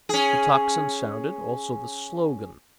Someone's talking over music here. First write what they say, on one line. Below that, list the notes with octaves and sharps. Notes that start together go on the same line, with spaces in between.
The tocsin sounded, also the slogan.
C#4 G#4